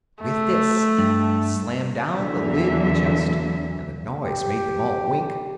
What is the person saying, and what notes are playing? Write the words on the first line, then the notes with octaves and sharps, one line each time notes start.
With this he slammed down the lid of the chest, and the noise made them all wink.
A3
G2
E2 D3 E3 F#3 A#3 E5
G4